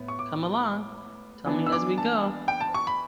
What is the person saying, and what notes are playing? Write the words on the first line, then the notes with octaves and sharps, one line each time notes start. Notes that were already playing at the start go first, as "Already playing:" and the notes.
Come along — tell me as we go.
Already playing: A2 B3
C#6
D6
E3 B3 D4
E6
D6
A5
G5
A5
C#6
B5